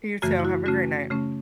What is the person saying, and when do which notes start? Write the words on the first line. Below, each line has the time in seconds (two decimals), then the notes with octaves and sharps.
You, too, have a great night.
0.22 F#2 C#3 E3 A3 F#4
0.40 E4
0.45 F#4
0.66 C#3 A3 C#4 F#4
1.10 C#3 A3 C#4